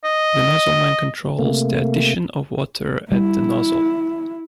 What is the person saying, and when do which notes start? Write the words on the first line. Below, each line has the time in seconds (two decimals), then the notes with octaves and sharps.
The nozzleman controls the addition of water at the nozzle.
0.05 D#5
1.39 C3 A3 A#3
3.12 G3 E4